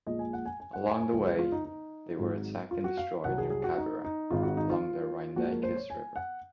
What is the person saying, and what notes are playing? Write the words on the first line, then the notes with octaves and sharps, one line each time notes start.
Along the way, they were attacked and destroyed near Cabira along the Rhyndacus River.
A#1 A#2 F3 G#3 D#5
G#5
F#5
G#5
G#5
F#5
G#5
G#5
C#2 C#3 F3 G#3 A#4
G#4
F4
D#4
D#4
G#1 G#2 F#3
F4
F#4
F5
C2 C3 F#3 F#5
G#4
G#4
F#4
D#4
D#4
G#1 G#2 D#3 G#3 F4
F#4
D#4
F4
A#1 A#2 F3 G#3 F#4
A#4
C5
C#5
G#5
F#5